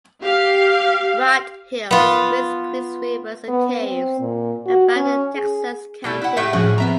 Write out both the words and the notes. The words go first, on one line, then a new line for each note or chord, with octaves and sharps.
Rugged hills, springs, creeks, rivers and caves abound in Texas County.
G4 F5
B3 F4
B3
C4
A#2
F#4
C#4
G#4
B2 G3 E4
E4 F#5
A2 G4 E5 C#7
A2 F3 C#4 F#4 G#4
F3 B3 C4 E5 A#5